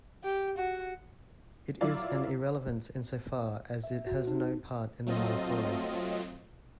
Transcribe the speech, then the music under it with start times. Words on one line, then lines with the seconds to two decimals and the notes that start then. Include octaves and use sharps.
It is an irrelevance insofar as it has no part in the Mini story.
0.24 G4
0.57 F#4
1.81 F#3 E4 F4 D5 F5
3.84 E5
4.07 F#4
4.27 D#4
5.07 F#3 A3 C4 F4 D#5